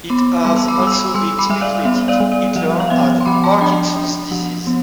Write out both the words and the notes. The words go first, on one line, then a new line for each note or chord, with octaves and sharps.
It has also been speculated Hitler had Parkinson's disease.
B3 B5 D6
G3 A5 C6
E6
B5 D6
G3
E6
B5 D6
G3 C6 E6
E6
B5 D6
G3 E5
D5 F5
B3 E5
D5 F5
G3
D5
F3 E5
F5
B3 E5 G5
C6
F3 B5 D6
A5 C6
D4 G5 B5
D4
F3
B3